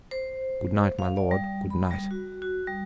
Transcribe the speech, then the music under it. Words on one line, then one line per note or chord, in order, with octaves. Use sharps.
Good night, my lord, good night.
C5
F5
D5
G3
B5
G3
F#4
F#4
G3